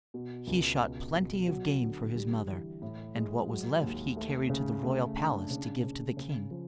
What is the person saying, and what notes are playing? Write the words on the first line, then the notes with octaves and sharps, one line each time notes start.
He shot plenty of game for his mother and what was left he carried to the royal palace to give to the king.
B2
C#2
B2
B2
F#3
D3
G3
E3
A2
G#3
F#3
D#2
A3
C#3
A3
D4
C#3
C#3
C#3
F3